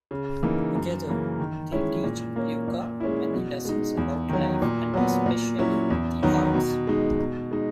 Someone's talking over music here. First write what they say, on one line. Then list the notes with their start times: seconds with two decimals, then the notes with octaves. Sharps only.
Together, they teach Luca many lessons about life and especially the arts.
0.11 C#3
0.43 E3 A#3 D#4
0.75 F#2
1.07 C#3 E3 A#3
1.40 D#3
1.72 G#3 C#4 E4
2.04 A#2
2.36 A#3 C#4
2.68 A#2
3.00 G#3 C#4 E4
3.33 B2
3.65 G#3 D#4
3.97 E2
4.29 D#3 F#3
4.62 A#2
4.94 F#3 B3
5.26 A#2
5.59 F#3 C#4 E4
5.90 E2
6.23 D#3 F#3 B3 D#4
6.54 B2
6.87 G#3 D#4
7.19 B2
7.51 G#3 D#4